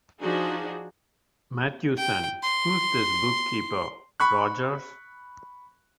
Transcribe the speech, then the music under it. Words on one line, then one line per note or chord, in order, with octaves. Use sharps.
Matthewson, who's this bookkeeper, Rogers.
F3 D4 D#4 F#4 G#4
G5
C6
B5 C#6 F#6